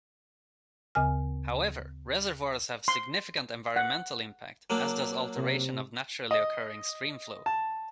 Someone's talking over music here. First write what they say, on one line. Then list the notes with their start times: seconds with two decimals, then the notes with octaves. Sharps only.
However reservoirs have significant environmental impact, as does alteration of naturally occurring stream flow.
0.95 D2 C#3 G#5 F6
2.88 C6
3.76 F#5
4.70 F#3 A#3 D4
5.36 C3
6.31 D#5
7.46 A5